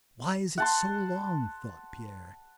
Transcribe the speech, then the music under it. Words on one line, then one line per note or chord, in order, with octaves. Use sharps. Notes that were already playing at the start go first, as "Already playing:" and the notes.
"Why is it so long?" thought Pierre.
F#5 A5 C6